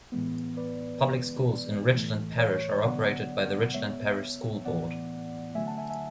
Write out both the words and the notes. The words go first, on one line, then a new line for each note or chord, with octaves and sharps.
Public schools in Richland Parish are operated by the Richland Parish School Board.
A2 E3 G#3 B3
B4 D5
C#3 E3 G#3 B3
A2 E3 A3
C#5
C#5
C#5
D3 F#3 B3 D5 F#5
C#3 G#3 B3 C#5 E5
A2 E3 B3 D5 F#5
D3 F#3 A3 E5 G#5
F#5 A5
E5 G#5
E5 G#5